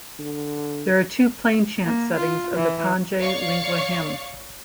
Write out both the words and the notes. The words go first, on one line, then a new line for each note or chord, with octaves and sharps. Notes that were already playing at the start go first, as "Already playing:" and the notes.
There are two plainchant settings of the Pange lingua hymn.
D3
A#3
F4
E3
C#5 D5 F5 C#6